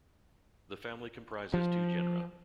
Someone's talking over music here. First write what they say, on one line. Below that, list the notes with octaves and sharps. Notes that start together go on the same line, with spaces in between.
The family comprises two genera.
F3